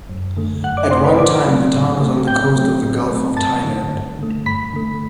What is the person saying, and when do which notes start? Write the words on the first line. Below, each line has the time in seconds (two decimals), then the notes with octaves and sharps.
At one time the town was on the coast of the Gulf of Thailand.
0.09 F#2
0.37 D3 A3
0.64 F#2 F#5 F#6
0.77 D5 D6
0.91 D3 A3 C5 C6
1.04 B4 B5
1.18 A2 D5 D6
1.46 F#3 A3 C4
1.74 A2
2.01 F#3 A3 C4
2.27 A2 G5 G6
2.55 F#3 A3 C4
2.82 A2
3.09 F#3 A3 C4
3.36 G2 A5 A6
3.64 D3 A3
3.91 G2
4.19 D3 A3
4.46 G2 B5 B6
4.73 D3 A3